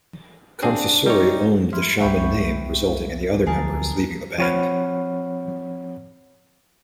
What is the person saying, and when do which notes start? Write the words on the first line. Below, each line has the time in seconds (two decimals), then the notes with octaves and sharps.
Confessori owned the Shaman name resulting in the other members leaving the band.
0.63 C4 D4 G#4
1.06 G3 D#4 C#5
1.73 F3 E4 C6 F6
2.01 C2 G#3 B4 C#5 E5 G5
3.47 D2 F3 F#3 G#4 A#4 A5
4.38 F3 C4 C#5 F#5 B5 F6